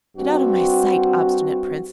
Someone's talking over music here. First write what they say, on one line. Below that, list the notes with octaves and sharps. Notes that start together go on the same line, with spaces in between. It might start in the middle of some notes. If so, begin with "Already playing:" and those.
'Get out of my sight, obstinate Prince.
G2 C4 F#4